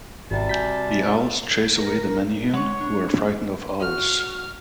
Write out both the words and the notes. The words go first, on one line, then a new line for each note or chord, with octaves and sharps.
The owls chase away the Menehune, who are frightened of owls.
G#1 C3 G3 F#4 G5 A5
F#4 G#5 G6 B6
A#4
G#3 C#5 F#5
D4
F#4 F6